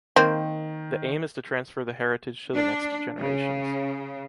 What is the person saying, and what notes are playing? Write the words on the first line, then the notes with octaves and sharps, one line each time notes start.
The aim is to transfer the heritage to the next generations.
D#3 A#3 C4
D4
C#3